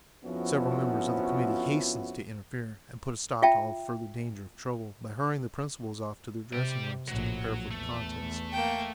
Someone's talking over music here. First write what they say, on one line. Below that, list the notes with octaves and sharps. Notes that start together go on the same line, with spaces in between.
Several members of the committee hastened to interfere, and put a stop to all further danger of trouble by hurrying the principals off to their dressing-rooms to prepare for the contest.
F2 F3 B3 C#4 E4 F#4
F4 E5 G5 A5
C3 D5 G5
A#1 A2 F#3
E2 A3
A#3 G5